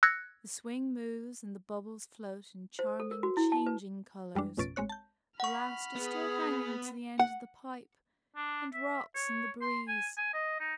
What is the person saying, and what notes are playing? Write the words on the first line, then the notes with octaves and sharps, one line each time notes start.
The swing moves, and the bubbles float in charming changing colors: the last is still hanging to the end of the pipe, and rocks in the breeze.
E6 F#6 G#6 A#6 C#7
C5
A4
A#4
F#4
E4
A5
B4
F#2 G3 G#3 D4
A1 F2 B2 C#4 A6 D7
A1 G#3 C4 C#5 F#6
A5 G6
F#5 B5 C#6 F6
B3 G#4
F#5
D4
E5
C#5
C6
G#5
G#5
D#5
D#4